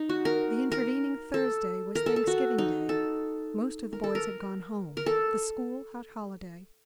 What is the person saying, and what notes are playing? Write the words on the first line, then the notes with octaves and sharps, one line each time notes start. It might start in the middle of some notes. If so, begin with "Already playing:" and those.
The intervening Thursday was Thanksgiving Day; most of the boys had gone home; the school had holiday.
Already playing: D#4
F#4
A#4
A#4
A4
A#4
A4
A4
F#4
D#4
A4
A#4
A4
A#4
A#4
A4